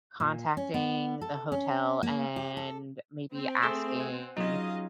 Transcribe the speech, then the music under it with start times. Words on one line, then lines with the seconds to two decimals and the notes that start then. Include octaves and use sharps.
contacting the hotel and maybe asking,
0.20 A#2
0.57 C#4
0.74 B3
1.21 A4
1.52 C#4
2.03 A#3
2.36 G4
2.57 A4
3.34 C4
3.62 A3 G#4 E6
4.00 F#5 G#5
4.37 F#3 C#4 D#4 F4 G#4 D#5 F5